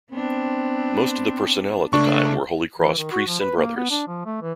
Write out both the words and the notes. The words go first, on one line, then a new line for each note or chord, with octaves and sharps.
Most of the personnel at the time were Holy Cross priests and brothers.
B3 C4 D4
C#2 A3 D4 C#6
E3
D#3
F#4
F3
B4
A#3
B3
D4
F3
A3
E3